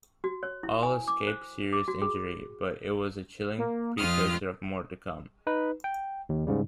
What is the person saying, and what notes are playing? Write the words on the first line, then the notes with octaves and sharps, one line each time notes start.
All escaped serious injury, but it was a chilling precursor of more to come.
F#4
C#5
E4
G#5
D6
C5
D6
F#4
G#4
A#3
F2 F4 D#6 F6
D#4 B4
G5
D#2
G#2 C#3 G3